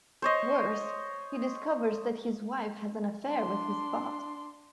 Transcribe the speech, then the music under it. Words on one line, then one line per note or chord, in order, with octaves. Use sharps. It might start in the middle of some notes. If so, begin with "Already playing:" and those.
Worse, he discovers that his wife has an affair with his boss.
C5 C#5 D#5
D4 C6